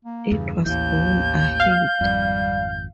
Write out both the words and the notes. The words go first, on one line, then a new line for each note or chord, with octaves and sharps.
It was going ahead.
A#3
E2 G2 C#3
A1 D#2 E3 G6
F5
G#1 F2 G3